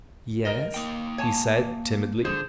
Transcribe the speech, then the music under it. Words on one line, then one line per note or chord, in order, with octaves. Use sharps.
"Yes?" he said timidly.
A#4 D#5
A#3 G5
C#5 G#5 A5
D3 G#4 C5